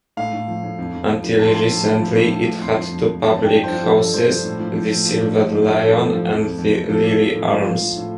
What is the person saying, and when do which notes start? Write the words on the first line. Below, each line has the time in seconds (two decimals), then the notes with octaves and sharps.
Until recently it had two public houses, the Silver Lion and the Lilley Arms.
0.17 A2 F5
0.33 A2
0.48 F3
0.63 A2
0.79 F2
0.94 F2
1.09 F3
1.24 F3
1.39 A2 A5
1.48 C6
1.54 F3 A5
1.71 A2
1.85 A2
2.00 F3
2.16 A2
2.31 A2
2.46 F3
2.62 F2 C6
2.77 F3
2.92 F2
3.07 F2
3.22 F3 A5
3.38 G2 G5
3.53 F3
3.64 C5
3.69 F3
3.83 F3 A4
3.99 G2
4.14 F3 C5
4.30 F3
4.45 A2
4.60 F3
4.76 F3
4.91 A2
5.05 F3
5.21 G2
5.37 G2
5.52 G2
5.67 F3 A4
5.82 A2
5.98 F3
6.13 F3
6.28 F2
6.43 F2
6.58 F2
6.74 F2
6.89 F3 A4
7.04 F3
7.20 F3
7.35 A2
7.50 F3 F4
7.66 F3
7.81 F3
7.96 A2